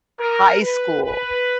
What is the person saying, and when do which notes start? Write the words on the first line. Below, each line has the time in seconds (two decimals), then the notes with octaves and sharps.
high school,
0.20 A#4
0.61 B4
1.03 B4